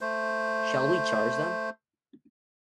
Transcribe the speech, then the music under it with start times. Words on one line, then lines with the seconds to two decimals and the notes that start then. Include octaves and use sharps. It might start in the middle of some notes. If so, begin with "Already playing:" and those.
Shall we charge them?
0.01 A3 C5